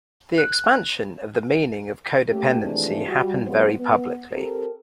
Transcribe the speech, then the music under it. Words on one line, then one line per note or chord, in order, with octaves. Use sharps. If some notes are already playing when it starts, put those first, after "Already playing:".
The expansion of the meaning of codependency happened very publicly.
F#6
A3 A#3 C#4 G4
C3 E3 F3 G#3 A3 D4
G3 F#4
F3 G3 G#3 B3 C4 C5
B3
C4 G4 A4 A#4